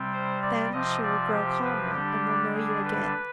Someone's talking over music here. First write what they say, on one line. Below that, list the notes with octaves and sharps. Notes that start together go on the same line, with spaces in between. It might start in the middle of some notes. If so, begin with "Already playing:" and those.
Then she will grow calmer, and will know you again.
Already playing: C3 G3 C4
C5
D5
C3 F3 C4 D#5
D5
G4
B4
D3 G3 D4 G4
G#4
B4